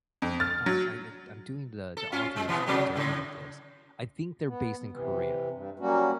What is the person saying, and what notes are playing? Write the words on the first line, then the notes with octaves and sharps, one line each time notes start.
Gosh, I I'm doing the the authors dirty with this. I think they're based in Korea,
F2
F6 A6
F#3
A4
C#4 F4
G#3
B2 E3 B3
C3 F#3 A3
A2 C#3
B3
C3 E3
G2
F#3 G3 A#3 C#4 F#4